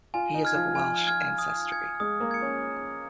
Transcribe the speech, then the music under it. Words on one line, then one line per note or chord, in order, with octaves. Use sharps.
He is of Welsh ancestry.
F4 G#5
D#4
F6 G#6
F3
F3 G#5
F6 G#6
D#6
G#6 C#7
G#3 D#6
A#3
G#6 C#7
C#4